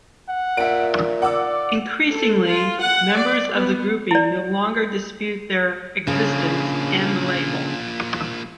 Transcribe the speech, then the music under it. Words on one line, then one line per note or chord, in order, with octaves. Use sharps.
Increasingly members of the grouping no longer dispute their existence and the label.
F#5
A#2 E5 D7
D5 F#5 D6 E6
A4
F4
F#5
D5
B3
E4 D5
C#3 F3 A#3 D4 G#4 C#5